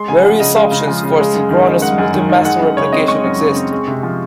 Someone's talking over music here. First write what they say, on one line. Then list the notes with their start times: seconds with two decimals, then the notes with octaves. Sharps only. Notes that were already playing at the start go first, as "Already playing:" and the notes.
Various options for synchronous multi-master replication exist.
Already playing: G#3 C6
0.08 C#3 G#5
0.24 F3 F#5
0.40 C#3 D#5
0.56 G#3 F5
0.71 C#3
0.87 F3
1.03 C#3
1.19 G#3
1.35 F#2
1.50 D#3
1.66 D#4
1.82 G#3 F#5
1.98 F#2
2.14 D#3
2.30 D#4
2.45 G#3 F#5
2.61 F#2
2.77 C#3 C#5
2.92 C4 D#5
3.08 G#3 C#6
3.24 F#2
3.40 C#3
3.56 C4
3.72 G#3
3.87 C3
4.03 F3